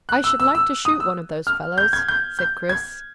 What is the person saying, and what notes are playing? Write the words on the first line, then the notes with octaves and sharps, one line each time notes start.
"I should like to shoot one of those fellows," said Chris.
F#6
E6
E6
E6
D#6
E6
F6
G6
G#6
G6
G6
G#6